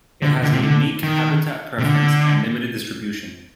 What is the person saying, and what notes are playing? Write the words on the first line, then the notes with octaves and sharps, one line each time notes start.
It has a unique habitat preference and limited distribution.
D3
D3
C3
D3
D#3
C3
D3